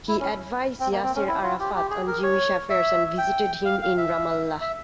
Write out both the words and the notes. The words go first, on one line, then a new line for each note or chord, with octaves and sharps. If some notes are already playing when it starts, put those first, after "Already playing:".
He advised Yasser Arafat on Jewish affairs and visited him in Ramallah.
E4
C#4
C4
A#3
C4
C#4
E4
F4
G4
G4
G#4
A#4
C#5
E5
G5
F5
F5
E5
E5